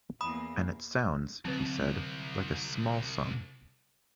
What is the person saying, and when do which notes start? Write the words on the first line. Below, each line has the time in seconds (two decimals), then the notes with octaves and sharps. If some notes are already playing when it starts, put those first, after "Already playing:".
"And it sounds" he said, "like a small sum."
0.21 E2 A#3 B5 D#6
1.45 C2 D3 F#3 C4 B4